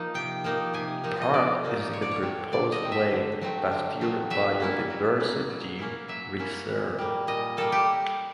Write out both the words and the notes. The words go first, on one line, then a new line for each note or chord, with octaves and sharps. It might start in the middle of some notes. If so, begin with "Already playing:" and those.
Part is in the proposed Lake Pasteur Biodiversity Reserve.
Already playing: F3 A#3 D#4
C3 G5
F3 A#3 D#4
C3 G#5
F3 A#3 D#4
D#5
C3 D5
F3 A#3 D#4
D3 C#5
D5
C#5
F#3 A3 C4
D3 D5
D#5
F#3 A3 C4
E5
D3
F#3 A3 C4
D3
F#3 A3 C4
F#3 E5
A#3 C#4 E4
F#3
A#3 C#4 E4
F#3
A#3 C#4 E4
F#3 E5
A#3 C#4 E4
A#2
G3 A#3
A#2 D#5
G3 A#3 A4
G4